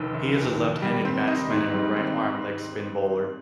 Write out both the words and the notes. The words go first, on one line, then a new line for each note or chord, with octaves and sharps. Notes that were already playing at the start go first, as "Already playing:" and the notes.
He is a left-handed batsman and a right-arm leg-spin bowler.
Already playing: F1 D#2 D#3
F1
D#2
D#3
G3
C4
D#4
G#2
G3
C4